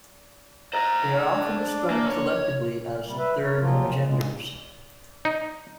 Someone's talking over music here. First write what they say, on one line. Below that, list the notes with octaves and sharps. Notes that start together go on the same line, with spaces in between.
They are often described collectively as 'third genders.
C5 D#5 A#5
D4
A#3
C#5
C3 G3
B4 E5
A#4 C#5
D#2 A#2 F3 F#3 F4
G2 A#2 C#3 G#3
D#4